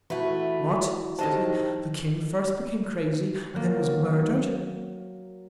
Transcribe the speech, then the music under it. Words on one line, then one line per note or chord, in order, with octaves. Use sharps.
What, said he, the King first became crazy, and then was murder'd.
E3 A3 E4 F#4 B4
D#3 D#4 G4 C5 D#5 A5
F#3 A#3